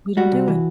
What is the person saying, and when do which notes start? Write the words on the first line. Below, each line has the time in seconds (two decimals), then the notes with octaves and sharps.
We don't do it.
0.17 G3 F#4
0.33 C3
0.48 E3